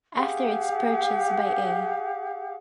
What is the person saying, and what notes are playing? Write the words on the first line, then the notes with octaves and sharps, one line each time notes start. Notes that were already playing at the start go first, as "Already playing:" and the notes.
After its purchase by A.
G4 G#4 F5 F#5